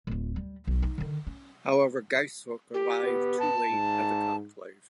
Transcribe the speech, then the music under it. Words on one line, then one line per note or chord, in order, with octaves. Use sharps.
However Gaisruck arrived too late at the conclave.
D1 F4
G3
B1
D#4
D3 D#3
C#4
G4
B3
A5
G#2